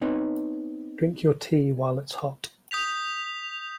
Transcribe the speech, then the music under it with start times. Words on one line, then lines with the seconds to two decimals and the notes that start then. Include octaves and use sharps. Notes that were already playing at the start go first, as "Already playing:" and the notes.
Drink your tee while it's hot.
0.01 B3 C4 D#4 B4 C#5
2.71 D#6 G6 B6 F7